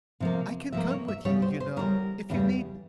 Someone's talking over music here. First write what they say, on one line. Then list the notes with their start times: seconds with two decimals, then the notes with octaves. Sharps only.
I can come with you, you know, if you need me.
0.20 C3 F3 A#3
0.72 C3 F3 A#3 E5
0.90 C#5
1.08 E5
1.25 E2 C#3 G3 C#5
1.42 C5
1.60 C5
1.76 E2 C#3 G3 A#4
2.30 E2 C#3 G3